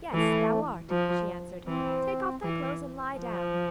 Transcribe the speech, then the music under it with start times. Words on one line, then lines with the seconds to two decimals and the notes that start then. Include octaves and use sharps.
'Yes, thou art,' she answered; 'take off thy clothes and lie down.'
0.13 E3 A3
0.90 F3
1.67 E3 C4
2.44 E3
3.20 F3